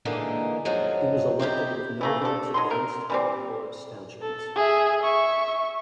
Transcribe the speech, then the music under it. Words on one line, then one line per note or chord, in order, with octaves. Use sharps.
He was elected with no votes against and no abstentions.
A#2 D3 E3 G#3 A#3 D#4
F#2 F3 F#3 G#3
C4 D#4 E4 G4
E3 A3 A#3
D4 A4
F#3 D#4 C6
A3 A#4
E3 G3 C4
A4
G#4 E5
E5 C#6